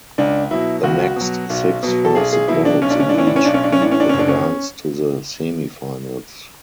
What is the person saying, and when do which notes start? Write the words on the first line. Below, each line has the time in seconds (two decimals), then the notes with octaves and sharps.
The next six fastest boats in each heat advanced to the semifinals.
0.18 C#2 D4
0.51 B2 F#3 E4
0.84 C#2 F#4
1.16 B2 F#3
1.50 B1
1.83 B2 F#3
2.05 A4
2.15 B1 G#4
2.33 G#4
2.48 B2 F#3 E4
2.65 D4
2.82 B1 C#4
2.90 D4
3.00 C#4
3.09 D4
3.14 A2 E3 C#4
3.27 D4
3.36 C#4
3.45 B1 D4
3.54 C#4
3.64 D4
3.72 C#4
3.80 A2 E3 D4
3.91 C#4
4.00 D4
4.09 F#1 C#4
4.19 D4
4.28 C#4